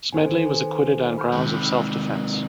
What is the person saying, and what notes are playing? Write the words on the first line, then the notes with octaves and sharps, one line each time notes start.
Smedley was acquitted on grounds of self-defence.
D#3 B3 A4 C5 G#5
B5 F6 G6
C3 D#3 G#3 G5 E6